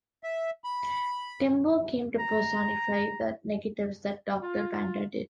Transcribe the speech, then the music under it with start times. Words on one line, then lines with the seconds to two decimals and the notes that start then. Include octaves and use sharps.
Tembo came to personify the negatives that Doctor Banda did.
0.23 E5
0.64 B5
2.19 A#5
4.41 F4